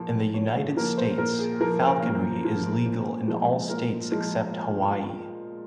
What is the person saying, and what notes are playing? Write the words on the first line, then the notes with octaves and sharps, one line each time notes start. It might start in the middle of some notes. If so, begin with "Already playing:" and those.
In the United States, falconry is legal in all states except Hawaii.
Already playing: A#2 F3 A#3
A#2 C#5
G#4
F3 A#3 A#4
C5
A#2 A#4
G#4
F3 A#3 A#4
C5
A#2
F3 A#3
A#2
F3 G#3
A#2 A#4
F3 G#3